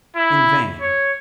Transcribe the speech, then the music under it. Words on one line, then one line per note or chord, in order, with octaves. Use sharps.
In vain.
E4
C#5